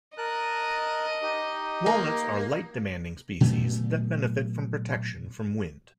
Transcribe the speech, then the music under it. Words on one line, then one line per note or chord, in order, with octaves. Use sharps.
Walnuts are light-demanding species that benefit from protection from wind.
A#4 D#5 A5 F#6
D#4 G4
A#3
A#2 F#3 A3 B3